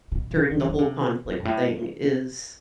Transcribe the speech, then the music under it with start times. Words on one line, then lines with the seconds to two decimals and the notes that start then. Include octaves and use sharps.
during the whole conflict thing is
0.12 B2
0.31 C3
0.51 F#3
0.60 E3
0.69 D3
0.79 C3
1.25 B2
1.40 G2
1.45 A2